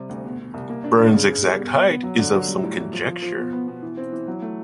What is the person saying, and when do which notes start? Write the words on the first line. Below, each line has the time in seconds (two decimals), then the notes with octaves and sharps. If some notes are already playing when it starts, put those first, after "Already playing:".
Byrne's exact height is of some conjecture.
Already playing: C3 G3
0.09 D2
0.24 B2
0.39 B2
0.54 C2
0.69 A#3
0.84 D4
0.99 D4
1.14 C#3
1.29 C#3
1.43 G3
1.58 B2
1.74 B3
1.89 B3
2.03 F#3
2.19 D3
2.33 F#3
2.48 G3
2.64 A2
2.78 E3
2.93 F3
3.07 F3
3.22 F3
3.38 B2
3.53 B3
3.68 B2
3.83 E3
3.97 C4
4.12 E3
4.28 F#3
4.42 A3